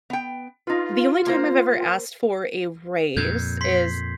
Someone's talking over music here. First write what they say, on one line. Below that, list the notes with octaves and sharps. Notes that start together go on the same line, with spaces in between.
the only time I've ever asked for a raise is
B3 G5
D#4 F4 B4
A#3 A#4 C5
F2 A#2 G6 G#6
C6 B6 C7